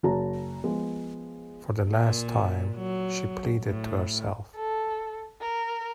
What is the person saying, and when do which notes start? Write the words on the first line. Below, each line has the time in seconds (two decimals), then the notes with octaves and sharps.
"For the last time," she pleaded to herself.
0.03 F#1 F#4 A5 A#5
0.64 F3 G#3 B3
1.90 A#2
2.76 F#3
3.63 A2
4.56 A4
5.41 A#4